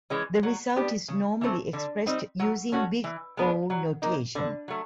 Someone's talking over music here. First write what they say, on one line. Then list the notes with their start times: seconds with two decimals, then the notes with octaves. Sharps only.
The result is normally expressed using Big O notation.
0.10 E3 G#3 C#4
0.43 F#3
0.76 B3 D4 G4
1.08 C#3
1.41 E3 A3 C4
1.73 D3
2.06 G3 C4 D#4
2.40 F#3
2.72 A3 C#4 F#4
3.04 E3
3.37 G#3 B3 D4
3.70 F#3
4.02 A#3 D#4
4.35 D3
4.68 F#3 A3